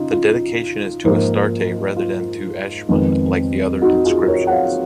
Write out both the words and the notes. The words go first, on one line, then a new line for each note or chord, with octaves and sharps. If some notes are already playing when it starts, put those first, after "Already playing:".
The dedication is to Astarte rather than to Eshmun like the other inscriptions.
Already playing: C#3 D#4 F4
F4
G#2 F3 A#3
F4
F2 D#3 G#3 B3
D#4 F#4
F4 G#4
A#4 C#5
F#5
C#5 F5